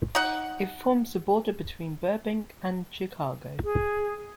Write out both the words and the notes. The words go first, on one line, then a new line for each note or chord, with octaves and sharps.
It forms the border between Burbank and Chicago.
D#4 F#5
G#4